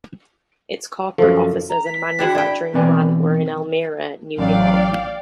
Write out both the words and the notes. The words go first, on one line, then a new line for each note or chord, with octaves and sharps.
Its corporate offices and manufacturing plant were in Elmira, New York.
F#2 F3 A4
A#5
B6
D4 E4 F#4 G#4 F#5 G5
E4 D5 G5
B2 E3 C4 B4 D5 G#5
A1 F#3 D5 F5 G5